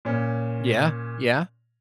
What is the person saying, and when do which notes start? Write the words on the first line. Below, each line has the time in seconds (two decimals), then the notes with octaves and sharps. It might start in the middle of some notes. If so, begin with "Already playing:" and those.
Yeah, yeah.
0.05 A#2 C#4